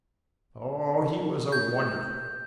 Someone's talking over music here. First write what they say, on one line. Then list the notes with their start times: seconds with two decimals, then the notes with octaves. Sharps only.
Oh, he was a wonder!
1.52 G6